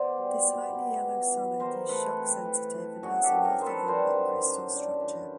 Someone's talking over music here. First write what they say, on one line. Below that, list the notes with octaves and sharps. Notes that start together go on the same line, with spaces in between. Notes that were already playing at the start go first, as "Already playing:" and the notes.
This slightly yellow solid is shock sensitive and has an orthorhombic crystal structure.
Already playing: B2 C5 D5
G3
B3
B2
B2
E3
E3 A#4 C5
A3 A4 B4
C4
E3
E3
F#2 F#4 G#4
G4 A4
F#2
G#4 A#4
D#3 C5
A4 B4
G3 A#4 C5
F#2
F#2
D4
E3